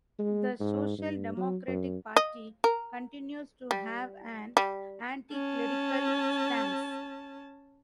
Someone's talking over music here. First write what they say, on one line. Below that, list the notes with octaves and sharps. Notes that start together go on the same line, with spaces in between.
The Social Democratic Party continues to have an anticlerical stance.
G#3
G#2
G2
F#3
F#2
D#5
A#4
G3
G3
C#4 A5